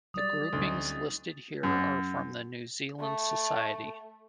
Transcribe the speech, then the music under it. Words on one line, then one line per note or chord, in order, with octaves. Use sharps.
The groupings listed here are from the New Zealand Society.
F#3 G3 D5 D#6 A6
D2 C4 C#4 D#4
F#2
A3